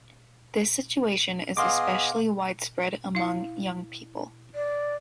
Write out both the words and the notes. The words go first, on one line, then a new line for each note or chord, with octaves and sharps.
This situation is especially widespread among young people.
B3 G#4 D#5 F5 C6 D6
E4 F5
D5